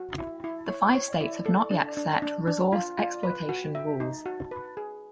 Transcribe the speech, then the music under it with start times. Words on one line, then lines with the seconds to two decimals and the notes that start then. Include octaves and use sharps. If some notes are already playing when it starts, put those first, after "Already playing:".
The five states have not yet set resource exploitation rules.
Already playing: F#4
0.18 E4
0.44 E4
0.69 C#5
0.95 C#5
1.21 E4
1.46 A4
1.71 D4
1.97 D4
2.22 D4
2.47 D4
2.72 F4
2.99 F4
3.23 B4
3.49 F#4
3.75 E5
4.00 D#4
4.26 F#4
4.51 B4
4.77 G#4